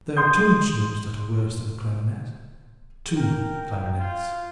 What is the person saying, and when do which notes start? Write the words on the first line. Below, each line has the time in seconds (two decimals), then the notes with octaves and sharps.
There are two instruments that are worse than a clarionet--two clarionets.
0.17 C6 D#6 G6
3.16 A#4 G5
4.00 F4